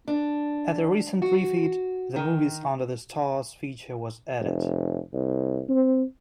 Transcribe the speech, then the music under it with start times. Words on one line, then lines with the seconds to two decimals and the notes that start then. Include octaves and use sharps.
At a recent refit, the "Movies under the Stars" feature was added.
0.08 D4
1.22 F#4
2.16 D#3
4.40 F1
5.13 C2
5.69 C4